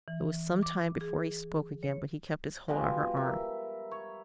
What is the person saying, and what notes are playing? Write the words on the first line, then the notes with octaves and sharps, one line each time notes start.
It was some time before he spoke again, but he kept his hold on her arm.
E3
D6
G#4
C#5
B2 F3 G3 G#3
A#4 E5
C#5